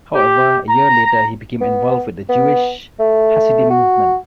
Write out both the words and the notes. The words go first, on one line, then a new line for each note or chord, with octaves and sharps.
However, a year later he became involved with the Jewish Hasidim movement.
G4
A#5
B3
B3
A3
F#4